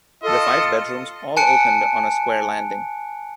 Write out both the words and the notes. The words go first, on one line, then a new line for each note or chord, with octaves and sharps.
The five bedrooms all opened on a square landing.
F4 A4 D#5
G#5 A5 F#6 C#7 D7